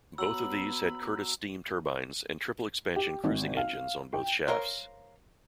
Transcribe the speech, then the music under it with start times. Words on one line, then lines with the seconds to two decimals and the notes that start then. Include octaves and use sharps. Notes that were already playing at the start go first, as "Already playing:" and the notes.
Both of these had Curtis steam turbines and triple-expansion cruising engines on both shafts.
0.18 F#3 B3 B5 E6 F#7
2.96 G4
3.24 G#1
3.57 F5
4.13 G5
4.48 A#4 C5 C#5 F5 A#5 C6